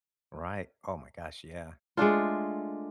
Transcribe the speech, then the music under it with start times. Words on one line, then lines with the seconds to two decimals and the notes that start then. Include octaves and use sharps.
Right, oh my gosh, yeah.
1.97 G#3 A3 D4 F4